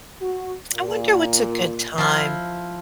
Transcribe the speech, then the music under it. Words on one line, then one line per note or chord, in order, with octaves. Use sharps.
I wonder what's a good time
F#4
A#2
F3 E4 F4